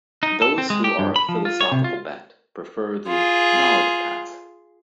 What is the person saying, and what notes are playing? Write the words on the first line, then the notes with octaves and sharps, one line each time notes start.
Those who are of philosophical bent, prefer the "knowledge path".
D#4
A4
C4
G#3
G4
G2
B5
F3
F4
C#5
C3
F4
F4 G#4